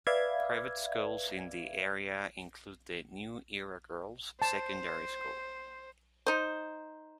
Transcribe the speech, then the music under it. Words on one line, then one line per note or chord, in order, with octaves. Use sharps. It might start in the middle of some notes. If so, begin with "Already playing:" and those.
Private schools in the area include the New Era Girls Secondary School.
B4 D5 E5 F5 G#6
C5 A5
D#4 C5